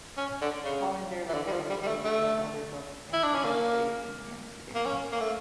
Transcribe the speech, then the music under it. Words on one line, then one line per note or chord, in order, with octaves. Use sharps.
Hollander later wrote a number of other books and produced plays in Amsterdam.
C#4
D3
C#3
E3
D3
G3
F3
G3
G3
A3
A3
E4
D4
C#4
A#3
A#3
C#4
A#3
A3